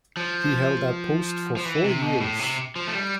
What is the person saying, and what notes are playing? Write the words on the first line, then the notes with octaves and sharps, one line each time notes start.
He held that post for four years.
F3
F3
E3
C3
B2
A2
C3
F3
A3
G3